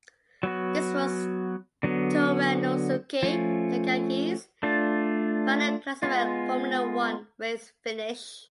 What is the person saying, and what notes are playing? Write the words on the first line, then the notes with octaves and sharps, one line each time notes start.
This was Toranosuke Takagi's final classified Formula One race finish.
F#3 B3 F#4
D3 F#3 B3
F3 A3 C#4
A3 D4 F4
G#3 B3 F4